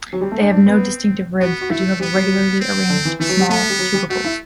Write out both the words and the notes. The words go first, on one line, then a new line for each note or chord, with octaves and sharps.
They have no distinctive ribs, but do have regularly arranged small tubercles.
F#3
G3 C4
A3
D4
D4
B3
B3 F#4
F#4
A3 E4
G3 B3
F#3
C4
D3
E3
E3 A3
F#3
G3
A3 B3
A3
G3
F#3
G3
A3 F#4
E4